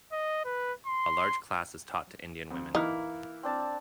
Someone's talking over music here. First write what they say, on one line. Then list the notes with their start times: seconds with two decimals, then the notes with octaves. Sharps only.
A large class is taught to indian women.
0.12 D#5
0.45 B4
0.87 C6
2.51 F2
2.75 E3 A#3 D#4 E4 F6
3.43 C4 D4 A5